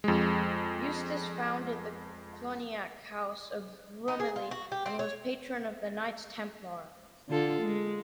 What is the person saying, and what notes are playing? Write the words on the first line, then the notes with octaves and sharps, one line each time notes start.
Eustace founded the Cluniac house of Rumilly and was patron of the Knights Templar.
F2 G#3
D#4
G#4
F4
F#4
G4
C4
C#5
D3 F4 A4
G#3